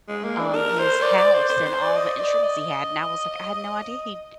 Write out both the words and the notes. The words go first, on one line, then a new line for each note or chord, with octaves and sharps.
um, his house and all the instruments he had and I was like, "I had no idea he
G#3
A#3
D4
A#4
C5
D5
D5
C5
C5
C5
D5
D#5
D5
D#5